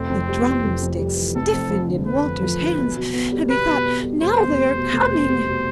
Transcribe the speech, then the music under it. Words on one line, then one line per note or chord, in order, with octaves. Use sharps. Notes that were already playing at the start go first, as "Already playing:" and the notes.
The drumsticks stiffened in Walter's hands, and he thought now they are coming...!
Already playing: F1 C4
F2
G3
E3
F1
F2
G3
E3
F1 A4
F2
F3
D3
F1 B4
F2
F3
D3
B1
B2
B3
G3
B1 B4
B2
B3
G3
F1 C5
E2
G3
B2
F1
E2
G3
B2